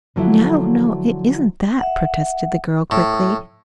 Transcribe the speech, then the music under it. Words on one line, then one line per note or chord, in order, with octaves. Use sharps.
"No, no, it isn't that," protested the girl quickly.
D3 F3 F#3 A3 E4
E5 F#5
A2